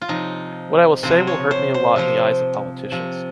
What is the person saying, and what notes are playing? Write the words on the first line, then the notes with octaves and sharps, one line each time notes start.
What I will say will hurt me a lot in the eyes of politicians.
F4
C3 F3 D#4
C3 F3 C5
C#5
C5
C5
C3 F3 C5
C3 F3